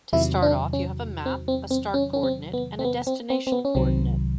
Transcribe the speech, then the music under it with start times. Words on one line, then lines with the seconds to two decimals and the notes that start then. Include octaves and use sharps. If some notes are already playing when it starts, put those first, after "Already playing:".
To start off, you have a map, a start coordinate and a destination coordinate.
0.13 E2 C3 D#3 F#3 E4
0.42 D4
0.73 C#4
1.26 C4
1.48 C4
1.71 C4
1.94 C#4
2.13 C#4
2.23 C4
2.53 B3
2.79 C4
2.85 B3
3.07 C4
3.30 C4
3.47 C4
3.52 B3
3.65 C#4
3.75 C2 C3 D#3 F#3 C4